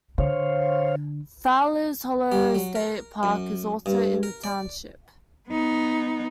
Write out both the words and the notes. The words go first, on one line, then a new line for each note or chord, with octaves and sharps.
Fowlers Hollow State Park is also in the township.
D3 C5 C#5 F5
G3
F#3
A#4
F#2
G2
A#4
D5
B3 D#4